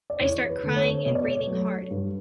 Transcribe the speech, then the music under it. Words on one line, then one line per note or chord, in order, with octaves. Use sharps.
I start crying and breathing hard.
D5
E2 C#5
B4
D3 A3
C#5
B2 C#5
D5
C#5
F#3 A3
G2